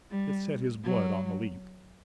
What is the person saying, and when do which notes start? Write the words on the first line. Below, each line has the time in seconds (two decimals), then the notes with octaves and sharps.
It set his blood on the leap.
0.10 G3
0.84 F#3